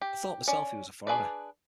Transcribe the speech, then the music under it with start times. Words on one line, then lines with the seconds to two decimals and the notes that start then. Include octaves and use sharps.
I thought myself he was a foreigner.
0.01 G4
0.48 C#4 D5
1.07 D4 G#4 B4 D5